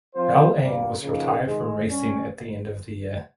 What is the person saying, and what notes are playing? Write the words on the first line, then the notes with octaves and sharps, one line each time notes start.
Al Ain was retired from racing at the end of the year.
F3 C4 F4 C5
G2 G3 A#3
C#3 F3 A#3 D#4
G#2 D#3 G#3
G2 G3 C#4